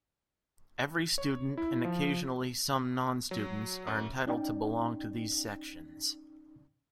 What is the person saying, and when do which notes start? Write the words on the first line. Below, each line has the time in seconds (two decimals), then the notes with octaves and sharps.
Every student, and occasionally some non-students, are entitled to belong to these sections.
1.18 C#5
1.57 E4
1.85 F3
3.31 F#3
3.87 F#2
4.27 C#4 D#4 D5 G5